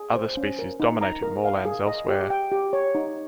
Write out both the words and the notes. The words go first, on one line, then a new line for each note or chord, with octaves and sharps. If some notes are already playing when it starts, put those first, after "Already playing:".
Other species dominate in moorlands elsewhere.
Already playing: G#4
C5
C#4
A#4
D#4
A#5
A#4
F5
G#4
D#5
G4
G5
G4
C#5
D#4